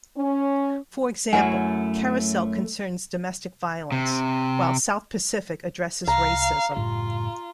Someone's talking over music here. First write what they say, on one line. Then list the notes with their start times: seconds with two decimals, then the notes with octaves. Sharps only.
For example, "Carousel" concerns domestic violence, while "South Pacific" addresses racism.
0.17 C#4
1.33 F#2 A3 E4 F#4 B4 F#5 G#5
3.92 C3
6.08 C2 F5 A#5
6.77 F#1 A2 G3 F4